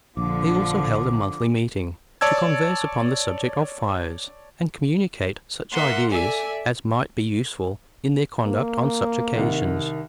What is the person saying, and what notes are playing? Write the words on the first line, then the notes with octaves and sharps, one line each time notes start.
They also held a monthly meeting, to converse upon the subject of fires, and communicate such ideas as might be useful in their conduct on such occasions.
A#1 D3 F3 D6
C#5 D5 A5 E6 G#6
A#3 A#4 E5 F#5 C6
A4 D5 E5 G#5
A#3
C2 D#3